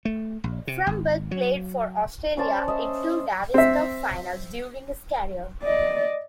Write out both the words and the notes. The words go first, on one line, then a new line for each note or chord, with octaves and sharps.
Fromberg played for Australia in two Davis Cup finals during his career.
A3
A#1
C3
G#1
F#3
C#4 C5 D5 A5
D#5 E5
C4 E5
D5 D#5